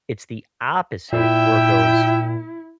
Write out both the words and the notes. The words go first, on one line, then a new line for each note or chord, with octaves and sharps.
it's the opposite where it goes,
A#2 E4 E5 G5